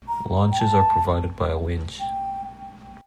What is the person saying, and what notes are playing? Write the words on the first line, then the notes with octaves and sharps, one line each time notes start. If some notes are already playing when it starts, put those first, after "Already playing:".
Launches are provided by a winch.
A#5
G5
A5
G5